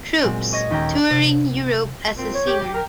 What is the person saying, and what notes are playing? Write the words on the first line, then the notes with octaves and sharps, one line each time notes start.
Troops, touring Europe as a singer.
A#2 F#3 G#3 C4
C#5 D#5 C#6 G#6 A#6
D#2 C#4 G5 A#5 G#6
C3
A#2 F3 C4
C#5
G4
A#4 G5